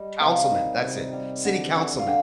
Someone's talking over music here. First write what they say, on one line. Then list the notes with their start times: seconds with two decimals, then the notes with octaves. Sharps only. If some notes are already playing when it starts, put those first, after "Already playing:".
councilman. That's it, city councilman.
Already playing: G3 D#5
0.20 C3 F5
0.51 D#3
0.82 C3
1.13 G3
1.44 D3
1.75 D3
1.99 F5
2.06 D3 G5